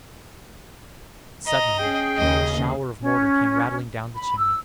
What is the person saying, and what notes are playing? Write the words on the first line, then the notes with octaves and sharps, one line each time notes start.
Suddenly a shower of mortar came rattling down the chimney.
D#5 A#5
C#4 G#4 G5
D#2 C#3 D#5
C#4
B5
E6